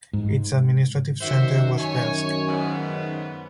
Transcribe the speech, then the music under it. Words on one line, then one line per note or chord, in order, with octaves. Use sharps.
Its administrative centre was Velsk.
G#2
F#2 D#3 F#4 C5 E5
C#5 G#5
G#2 C#3 B3